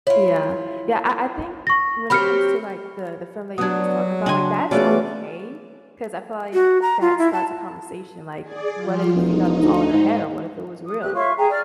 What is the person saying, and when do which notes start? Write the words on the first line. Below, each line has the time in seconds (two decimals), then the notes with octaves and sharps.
Yeah. Yeah, I I think when it comes to, like, the the film that you were just talking about, like, that's okay 'cause I feel like that starts a conversation. Like, what if, you know, it was all in her head or what if it was real?
0.07 E4 F4 C#5
1.67 C#6 A#6
2.10 F#3 C4 G4 B5 F6 C#7
3.58 F#3 B3 D4 D#6 G#6
4.26 C#3 D4 D#5 G5 G#5 C6
4.71 E3 A3 B3 C#4 F4 F#4 G#4 D5
6.54 F#4
6.82 A#5
7.01 F4
7.19 E4
7.33 A5
8.41 G#4 D5
8.75 F3 F4
9.15 E1 D#4
9.62 D2
9.93 G#2
10.86 D#6
11.01 G4 F#6
11.14 F4 C#5 E5 C#6
11.36 G#4 G5 A#5
11.50 D5 F6